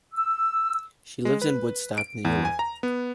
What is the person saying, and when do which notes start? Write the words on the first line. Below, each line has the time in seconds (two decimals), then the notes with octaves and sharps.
She lives in Woodstock, New York.
0.14 E6
1.25 G#3
1.42 B4
1.98 D7
2.25 E2
2.45 G#5
2.59 A#5
2.83 B3